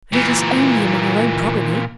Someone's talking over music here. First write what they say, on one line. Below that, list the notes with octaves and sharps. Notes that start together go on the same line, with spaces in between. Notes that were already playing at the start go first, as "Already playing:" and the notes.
'But it is only among our own progeny.'
A#2 E3